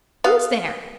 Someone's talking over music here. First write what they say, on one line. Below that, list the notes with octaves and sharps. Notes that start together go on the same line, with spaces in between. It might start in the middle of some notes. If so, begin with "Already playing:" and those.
Who's there!
B3 F5